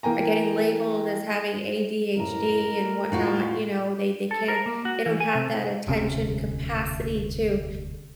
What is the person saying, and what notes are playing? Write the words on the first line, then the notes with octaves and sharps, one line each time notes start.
are getting labeled as having ADHD and whatnot, you know, they they can't they don't have that attention capacity to
E3 A#3 G5 G#5 A#5
F#1 A2 A#4 A#5
A3
A2 F4 F#4
A4
A#4
A#3
F#4
E3
G#5
C3
E1 D2 C3 C#4